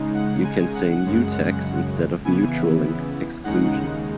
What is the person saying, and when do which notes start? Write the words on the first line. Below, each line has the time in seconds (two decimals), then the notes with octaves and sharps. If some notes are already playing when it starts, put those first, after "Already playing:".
You can say mutex instead of mutual exclusion.
Already playing: C#3 G#3 D#4
0.14 F#5
0.44 G#5
0.75 F#5
1.05 F#2 C#3 G#3
2.25 C#3 E3 B3 E4 G#5
3.44 D#2 C#3 G#3 D#4 F#5